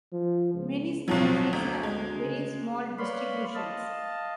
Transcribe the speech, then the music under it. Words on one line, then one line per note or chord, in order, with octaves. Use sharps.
Many species have very small distributions.
F3
C#2
B1 F3 F#3 C4
G1 D2
G#3
C#3
B4 C#5 D5 F5 B5 C6
D#5 F5 A5